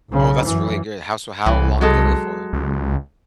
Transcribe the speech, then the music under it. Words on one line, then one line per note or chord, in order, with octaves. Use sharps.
Oh, that's really good how so how long did they live for?
B1 C#3
F#2 E3
C2 E3
F#3 G#3 A4
C#2